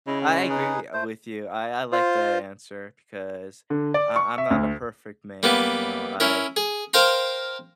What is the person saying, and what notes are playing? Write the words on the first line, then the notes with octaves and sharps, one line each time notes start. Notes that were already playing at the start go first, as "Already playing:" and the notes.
I agree, uh, with you. I I like that answer because I I'm not a perfect man, you know. I
C#3 E4 D#5
G#3
D#4 G#4 B4
A3 C5
F4 C5
D3
D5
C#6
E5
D2
G3 A#3 B3
C#4 E4 A#4
G#4
A#4 C5 F5 G5 A#5 C6